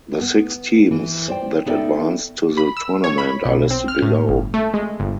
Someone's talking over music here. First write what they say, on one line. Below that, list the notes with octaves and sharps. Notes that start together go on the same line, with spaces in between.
The six teams that advanced to the tournament are listed below.
B3
E3
C5 D5 G5
B3 D#4 A4 D5 E5 G5
B5
E6
C#5
B5
B1
C4
F6
A2
G1
A3
G#3
G1